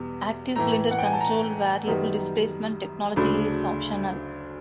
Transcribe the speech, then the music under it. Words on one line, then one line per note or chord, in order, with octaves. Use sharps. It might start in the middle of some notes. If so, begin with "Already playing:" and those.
Active Cylinder Control variable displacement technology is optional.
Already playing: E2 B2 G3
A2 E3 A3 A#5
F#5
G5
G#5
A5
A#5
F#2 D#3 G3 B3
D2 C#3 F#3 A3 D4 B5